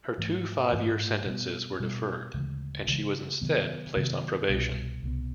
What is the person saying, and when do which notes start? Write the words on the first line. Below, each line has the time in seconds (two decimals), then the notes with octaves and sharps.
Her two five-year sentences were deferred, and she was instead placed on probation.
0.18 G#2 E3 A3
0.72 G#2 E3 A3
1.25 B2 G3 B3
1.80 B2 G3 B3
2.34 D2 C#3 E3 G#3
2.87 D2 C#3 E3 G#3
3.41 C3 D#3 F#3 B3
3.95 C3 D#3 F#3 B3
4.49 C2 B2 G3 B3
5.03 C2 B2 G3 B3